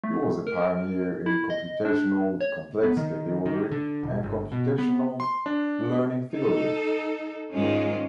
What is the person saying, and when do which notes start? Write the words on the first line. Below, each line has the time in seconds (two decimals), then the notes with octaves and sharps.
He was a pioneer in computational complexity theory and computational learning theory.
0.04 A3
0.47 A#4
1.26 E4
1.50 D#5
1.85 D4
2.41 C#5
2.83 B3
2.97 D#3
3.46 D#3
3.72 D3
4.03 E1
4.23 G1
4.52 B2
4.78 B3
5.20 C6
5.46 D4
6.34 D#4 A4
7.53 G#2 D#3 G#3 A#3 C#4 F4